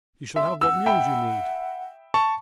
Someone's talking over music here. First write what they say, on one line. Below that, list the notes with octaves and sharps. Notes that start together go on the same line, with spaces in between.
You shall have what mules you need.
E5 C6
F#5 E6
E5 G5 B5
A5 C#6